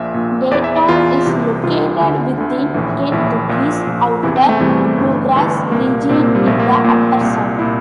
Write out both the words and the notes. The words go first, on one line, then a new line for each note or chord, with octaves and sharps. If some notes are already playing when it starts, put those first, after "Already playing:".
Dayton is located within Kentucky's Outer Bluegrass region in the Upper South.
Already playing: A#1 A#2 E5
A#1 A#2
E2 E3 D5
E5
D5
E2 E3 F4
C2 C3 E3
C2 C3 E3 F4
D2 D3
D2 D3
A#1 A2 E3
A#1 A2 E3 E4
A#1 A#2
A#1 A#2
E2 C3 E3 E4
C4
A3
E2 C3 E3 G3
G3
A3
G1 G2 E3
G1 G2 E3
C2 A#2 A#3
C2 A#2 C4
A#3
G3
A#1 A#2 A3
A#3
A#1 A#2
C2 A#2
A#2 E4